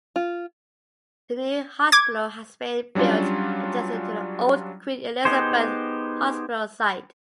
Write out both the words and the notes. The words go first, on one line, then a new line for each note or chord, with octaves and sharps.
The new hospital has been built adjacent to the old Queen Elizabeth Hospital site.
F4
D6 G#6
F#3 G3 C#4 D4 F4
B3 D#4 G4 G#4 C5